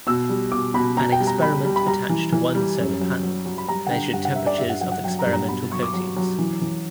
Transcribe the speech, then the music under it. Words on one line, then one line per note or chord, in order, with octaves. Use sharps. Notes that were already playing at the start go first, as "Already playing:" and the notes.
An experiment attached to one solar panel measured temperatures of experimental coatings.
B2 E6
G3
B2 D6
B2 B5
B2 A#5
G5
G3
A#5
G3 B5
G3
B5
G3 A#5
E3
E3
G3
F#2
F#3
F#3
F#3
B5
G3 A#5
F#5
D3 G5
G2 F#5
F#5
G3 E5
D5
G2 E5
F#5
F#3 F#5
F#5
F#3 G5
A#5
G2
A#5
B2 B5
F#3 C#6
D6
F#3
F#3
E3
E3